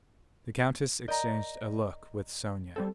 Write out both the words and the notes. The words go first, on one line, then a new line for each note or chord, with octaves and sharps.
The countess exchanged a look with Sonya.
A#4 D5 D#5 A#5 G6
G3 C4 A4